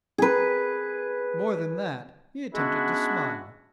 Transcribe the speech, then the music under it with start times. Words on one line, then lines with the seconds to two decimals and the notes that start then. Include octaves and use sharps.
More than that, he attempted to smile.
0.18 G#4 B4
2.55 G#3 B3 C#4 D4 E4 F#4